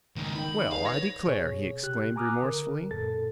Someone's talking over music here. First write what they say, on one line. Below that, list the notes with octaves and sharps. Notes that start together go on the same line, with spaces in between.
"Well, I declare!" he exclaimed remorsefully.
C#2 D#3
D#3 G5 B5
G#4 B4 F5
C#5 A#6
B2 G#4 C#5
C3 G4 F#6
G#5 A#5 D6 D#6 F6 F#6
D3 A#4
F#2 A#2 A4 A6